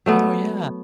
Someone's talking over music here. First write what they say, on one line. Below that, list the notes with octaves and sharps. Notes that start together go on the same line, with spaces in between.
Oh, yeah.
F#3 A3 B3